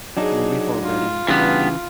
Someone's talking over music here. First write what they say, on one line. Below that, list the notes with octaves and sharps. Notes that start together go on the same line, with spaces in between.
I mean, we've already
F#3 D4 D#4 G#4
F4
G2 C#3 E3 B3